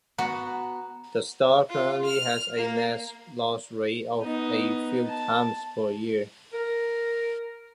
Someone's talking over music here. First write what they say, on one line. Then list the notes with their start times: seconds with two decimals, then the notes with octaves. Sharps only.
The star currently has a mass loss rate of a few times per year.
0.18 B3 F#4 A#5
1.70 F4
2.06 F6
2.57 A#3
4.21 B3 D#4
5.08 A5
6.53 A#4